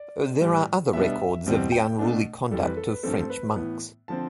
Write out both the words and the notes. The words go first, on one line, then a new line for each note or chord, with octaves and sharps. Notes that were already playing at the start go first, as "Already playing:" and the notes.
There are other records of the unruly conduct of French monks.
Already playing: D5
A2 E3 G3
B2 G3 B3 D4 E5
E2 B2 G3 C4
G5
B2 A3 D4
F2 E3 G3 A4
B4
A4
B4
G2 F3 A3 C4 A4
C5
B4
A2 E3 B3
D3 F3 C4 A5